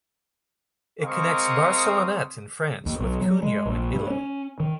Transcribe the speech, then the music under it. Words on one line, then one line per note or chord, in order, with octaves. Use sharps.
It connects Barcelonnette in France with Cuneo in Italy.
G#3 C4 A#4 F5 C#6 D#6
D#2
B1
F#3
G#3
A#1
G2
C#4
D#3